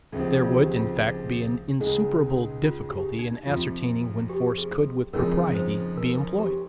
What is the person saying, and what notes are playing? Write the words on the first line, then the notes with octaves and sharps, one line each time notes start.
There would, in fact, be an insuperable difficulty in ascertaining when force could with propriety be employed.
C#2 C3 F3 C4 D#4
D#4
F4
G4
F4
D#4
C#2 C#3 G#3 D#4
F4
G4
D#4
F2 C3 F3 F4
G4
G#4
F2 C#3 F3 G#3 D#4 A#4 C#5
C5
A#4
G4